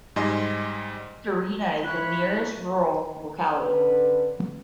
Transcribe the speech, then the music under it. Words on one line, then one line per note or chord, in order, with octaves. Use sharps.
Starina is the nearest rural locality.
G#2 G3 D#5 G#5 C6
E4 F4 C#5 B5 F#6
D3 C#4 B4